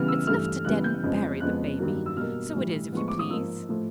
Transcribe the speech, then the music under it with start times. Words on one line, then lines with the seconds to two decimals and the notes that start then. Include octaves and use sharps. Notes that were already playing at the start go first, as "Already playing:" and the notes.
"It's enough to dead and bury the Baby, so it is if you please."
Already playing: C#3 E3 G3 B3 F6
0.08 E6
0.26 G2 E3 A3 F6
0.65 C#3 E3 G3 B3 F#6
0.84 G6
1.03 F2 C#3 F3 G#3 B3
1.40 F2 C#3 F3 G#3 B3 F#6
1.79 G2 D#3 F#3 A#3
2.06 E6
2.16 B2 G3 A#3 F6
2.55 A2 E3 G3
2.92 A2 F3 G#3 B3 C#6
3.08 D6
3.19 D#6
3.30 G#2 F3 A#3 E6
3.69 A2 F3 A3